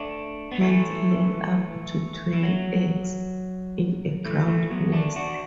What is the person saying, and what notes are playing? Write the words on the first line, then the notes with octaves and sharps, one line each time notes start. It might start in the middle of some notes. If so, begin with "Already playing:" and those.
Hens lay up to twenty eggs in a ground nest.
Already playing: A3 D4
B3
E3 A3
E3
F#3
E3 A3
E3 A3
F#3 B3
A3 D4
D4 F#4